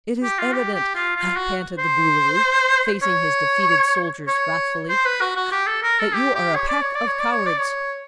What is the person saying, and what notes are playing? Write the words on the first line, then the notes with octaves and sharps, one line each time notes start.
"It is evident," panted the Boolooroo, facing his defeated soldiers wrathfully, "that you are a pack of cowards!"
G4
F4
G4
G4
F4
F4
F#4
C5
C#5
C#5
C5
B4
F#4
F#4
G4
A4
A#4
A4
G4
G4
C#5
D5
C#5
D5
C#5
D5
C#5
D5
C#5